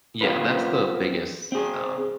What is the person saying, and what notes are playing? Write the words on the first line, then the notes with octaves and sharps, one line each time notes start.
Yeah, that's the biggest, um
B3 C4 F4 A#4 B4
C4 G#4